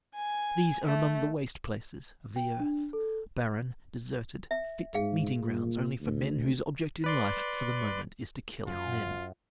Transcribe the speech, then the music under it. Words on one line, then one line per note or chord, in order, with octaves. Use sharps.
These are among the waste places of the earth--barren, deserted, fit meeting grounds only for men whose object in life for the moment is to kill men.
G#5
A3
G5
D4
A4
E5
G#2 G#4 F5
A#2
D2
B4 D5 C6
F#2 F4